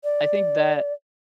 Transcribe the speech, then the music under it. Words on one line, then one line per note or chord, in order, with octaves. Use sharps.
I think that,
D5